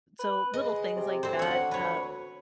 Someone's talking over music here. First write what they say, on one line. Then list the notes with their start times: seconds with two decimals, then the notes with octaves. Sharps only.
so, little things like that, uh,
0.19 B4
0.54 G#3 D#5
0.96 C3
1.23 D2 C4 C5
1.39 C#5 F#5
1.71 B4 C#5